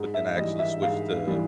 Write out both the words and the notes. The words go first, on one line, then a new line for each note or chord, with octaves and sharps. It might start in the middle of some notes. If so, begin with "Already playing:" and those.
but then I actually switched to,
Already playing: G#2
E5
E3 G3 D#5
E5
G#2 F5
E3 G3